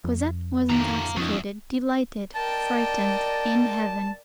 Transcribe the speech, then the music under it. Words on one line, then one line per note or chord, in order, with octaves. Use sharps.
Cosette was intoxicated, delighted, frightened, in heaven.
F2
D2 A2 D#3 F5 A#5
E2 F3 C#4 D#4
A#4 D5 D#5 G5 A5